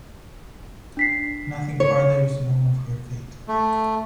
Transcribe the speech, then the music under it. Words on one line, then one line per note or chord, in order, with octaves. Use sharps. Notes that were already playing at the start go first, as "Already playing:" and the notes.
Nothing further is known of her fate.
D4 B6 C7
C#5
A3